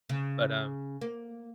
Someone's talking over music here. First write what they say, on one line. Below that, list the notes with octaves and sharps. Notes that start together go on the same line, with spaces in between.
But, um,
C#3
A#3